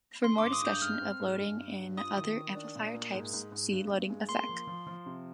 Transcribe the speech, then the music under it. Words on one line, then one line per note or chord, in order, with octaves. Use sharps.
For more discussion of loading in other amplifier types, see loading effect.
D3 C6
G2 D6
D#6
G2 G6
G#2 F6
C4
G#2
G2
G2
G2
F4 D#6
D#3
D#3
D4
A#2
A#3
G#2
G#2
G#2
G2
G2
G#3
A#3 C6
F3
F3
F3
C3